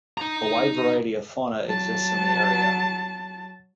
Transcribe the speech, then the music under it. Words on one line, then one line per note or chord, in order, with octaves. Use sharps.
A wide variety of fauna exists in the area.
D#4 A#5
F#3 A5